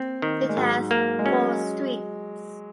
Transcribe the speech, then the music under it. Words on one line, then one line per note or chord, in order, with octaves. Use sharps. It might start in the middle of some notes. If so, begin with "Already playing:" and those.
It has four streets.
Already playing: A#3 C4
D#3
A#3
G#3
G#2 F#3
A#3
G#3
F#3 C#4